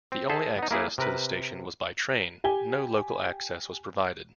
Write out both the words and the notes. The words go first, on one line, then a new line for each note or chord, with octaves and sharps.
The only access to the station was by train; no local access was provided.
C4
G#4 A4 C5 E5
B3 D#4
A#3 E4 G#4
C3 A#4 B4
G4 G#5 G7